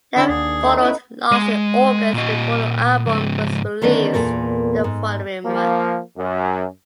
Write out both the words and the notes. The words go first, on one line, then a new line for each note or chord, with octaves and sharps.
Then followed "Lost" in August before the album was released the following month.
D3 D4 E4 F#5
D#2 G#4
A3 D#4
C#4 E4 B4
G#3
A#2 D#5
C#2 G#2
D3 D#3 A3 B3 C#4 D4
E2 G2 A#2 A4 A#4
G#2
F3 A#3
F#2